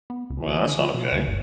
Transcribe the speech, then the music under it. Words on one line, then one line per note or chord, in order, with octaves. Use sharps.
Well, that's not okay.
B3
C#2
E3
D3
F3
B2
D2
G1